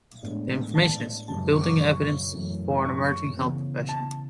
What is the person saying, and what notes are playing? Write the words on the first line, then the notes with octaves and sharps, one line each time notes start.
The informationist: Building evidence for an emerging health profession.
A2 G#3 B3 D4
A5
F#2 C#3 G#3 C#4 A5
C#6
D6
C#6
F#2 E3 A3
C#6
C#3 E3 B3
A5